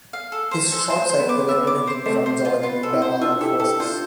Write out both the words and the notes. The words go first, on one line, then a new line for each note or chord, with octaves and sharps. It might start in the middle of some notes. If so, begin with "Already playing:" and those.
His short sight prevented him from joining the Armed Forces.
F5
A4
C5
A4
C5
C5
B3
D6
B3 E5
D6
C5
A3 C4 C5
C5
F4
B3 F4
A4
C4 E4
C5
D4 F4 E5
E4 G4 A4
E4 G4 A4
D4 F4 C5